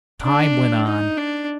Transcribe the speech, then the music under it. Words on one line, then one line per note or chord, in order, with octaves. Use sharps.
Time went on.
D4
D#4
D4